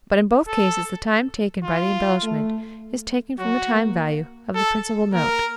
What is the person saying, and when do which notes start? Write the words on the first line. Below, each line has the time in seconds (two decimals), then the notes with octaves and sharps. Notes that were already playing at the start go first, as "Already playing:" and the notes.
But in both cases the time taken by the embellishment is taken from the time-value of the principal note.
0.48 A4
1.64 F4
2.23 A3
3.39 F#3 F#4
3.68 A#3
4.55 A4
5.13 A#3 A#4